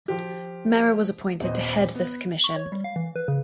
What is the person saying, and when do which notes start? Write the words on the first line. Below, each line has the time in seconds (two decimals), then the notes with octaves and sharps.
Mehra was appointed to head this commission.
0.08 F3 G4
1.41 D#1 B3 C5 D#5
1.95 B3
2.44 C#6
2.56 C#5
2.72 G3
2.84 F5
2.96 E3
3.16 B4
3.28 C#3